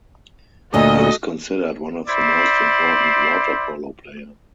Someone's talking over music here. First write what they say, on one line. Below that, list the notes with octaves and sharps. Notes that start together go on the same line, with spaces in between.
He is considered one of the most important waterpolo player.
D2 A#2 F#4 A4 D#5
E4 C5 D5